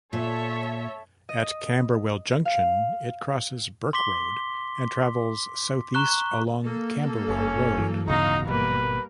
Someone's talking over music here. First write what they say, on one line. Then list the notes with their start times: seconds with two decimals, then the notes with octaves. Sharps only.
At Camberwell Junction it crosses Burke Road and travels south east along Camberwell Road.
0.13 A#2 A4 C#5 E5
1.29 D#5
2.45 F5
3.93 C6 D6 B6 G7
5.94 A#5 C#6 F#6 G7
6.63 A#3 A4
7.28 F#1 C#4
7.77 G2 E3 F#3
8.08 D1 C#3 B3 D#4 F#4 F5 A#5
8.47 G#1 B2 G3 A#3 A#4 B4